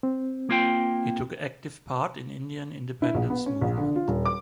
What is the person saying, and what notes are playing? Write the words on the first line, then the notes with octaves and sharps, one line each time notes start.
He took active part in Indian independence movement.
C4
A#3 F4 G5
E4
A#1
B3
C#4
A#1
D3
F4
D#1
D6